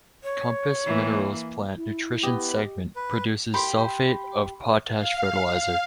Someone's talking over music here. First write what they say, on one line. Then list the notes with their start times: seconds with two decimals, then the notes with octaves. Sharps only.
Compass Minerals' Plant Nutrition Segment produces sulfate of potash fertilizer.
0.24 C#5
0.85 E3 A#3
1.77 E4
2.23 B3 G4 D#5
2.96 B4
3.54 G4 B5 C6
4.92 F5